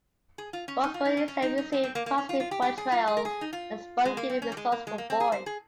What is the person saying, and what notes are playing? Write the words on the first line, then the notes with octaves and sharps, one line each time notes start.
Bosko instead received positive portrayals as a spunky and resourceful boy.
G#4
F4
C#4
D#4
F4
D#4
C#4
C#4
D#4
D#4
C4
C4
A#3
A#3
C#4
F4
F4
G4
G4
G#4
F4
G#4
A#4
G#4
D#4
F4
G#3
A#3
C4
C#4
G3
G#3
A#3
G#3
A#3
C4
G#4
C5
G#4